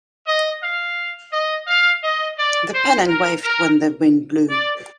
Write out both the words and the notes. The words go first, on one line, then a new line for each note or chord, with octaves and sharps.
The pennant waved when the wind blew.
D#5
F5
D#5
F5
D#5
D5
C5
A#4
A#4
D5